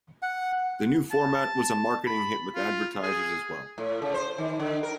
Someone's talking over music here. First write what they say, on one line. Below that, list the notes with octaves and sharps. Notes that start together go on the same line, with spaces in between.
The new format was a marketing hit with advertisers as well.
F#5
A5
B5
F4
G#4
A2
C#3
C5
D#3
D3
A#4